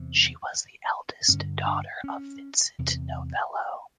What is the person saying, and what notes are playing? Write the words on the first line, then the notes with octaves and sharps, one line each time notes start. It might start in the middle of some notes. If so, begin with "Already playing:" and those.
She was the eldest daughter of Vincent Novello.
Already playing: E2 C3
G2 D3 C#4
D4
C#4
E2 C3